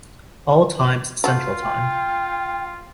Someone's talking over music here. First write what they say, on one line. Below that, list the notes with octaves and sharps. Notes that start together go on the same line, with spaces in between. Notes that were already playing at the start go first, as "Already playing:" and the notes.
All times Central time.
F4 F#4 A4
G5